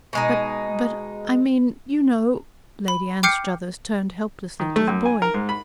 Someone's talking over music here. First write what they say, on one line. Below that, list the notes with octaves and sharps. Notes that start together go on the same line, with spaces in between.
"But--but--I mean--you know----" Lady Anstruthers turned helplessly to the boy.
B2 G#3 D#4
B5
G5 D6 F6 G6 C7 C#7
D#3
A3
F#2
G#5
A#4
G#2
B5